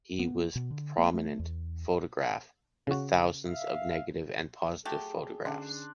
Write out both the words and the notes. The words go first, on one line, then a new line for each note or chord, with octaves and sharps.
He was a prominent photograph, with thousands of negative and positive photographs.
B3
B2
D3
A#3
A3
E2
C#3 F#4
E5 F5
F#3 A3 G4 G#4
D3 C#4 D4 C6